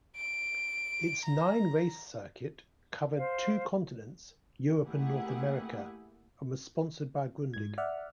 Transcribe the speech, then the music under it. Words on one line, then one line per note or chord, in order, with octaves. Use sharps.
Its nine-race circuit covered two continents-Europe and North America-and was sponsored by Grundig.
D7
A#5
C5 F5
A3 A#3 E4 G4 G#4 F#5
G#2 G#6
D5 E5 F#5 F6